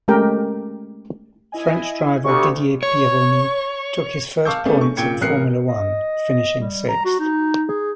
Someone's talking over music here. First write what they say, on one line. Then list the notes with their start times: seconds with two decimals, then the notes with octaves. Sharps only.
French driver Didier Pironi took his first points in Formula One, finishing sixth.
0.08 G#3 A3 C#4 G4 A#4 G5
1.52 E4 D#5 G#5
2.24 D2 G4 C#6
2.83 C#5 C#6
4.45 F5 A5 C#6 D6 E6 G6
4.65 A3 B3 C#4 D4 G#4 A4
4.81 C#6
4.97 A#2 C#3 G5 G#6 C#7
5.21 A1 A#4 F#6 C7 C#7
5.68 D#5
6.60 G3
6.89 A#5
7.05 F#4
7.20 D#4
7.69 G#4